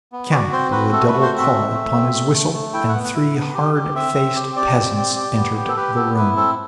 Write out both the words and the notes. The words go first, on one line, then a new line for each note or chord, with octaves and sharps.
The count blew a double call upon his whistle, and three hard-faced peasants entered the room.
B3
F#4 D5
C4 C5
F#4 B4
A3 A4
B4
F#4
C5
C4
E5
A3
A3
C4
A3
A3
A3
E4 G5
F#5
B3
F#5
E4
B3
G4
G4
C4 E5
C4
G4
G4 D5
C4
G4
G4
B3
G4
A4
G4 B4
B3 A4
E4 B4
C4 A4